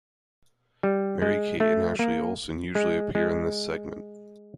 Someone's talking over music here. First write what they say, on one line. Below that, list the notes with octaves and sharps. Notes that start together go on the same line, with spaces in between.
Mary-Kate and Ashley Olsen usually appear in this segment.
G3
G#3
A3
A#3
G#3
G#3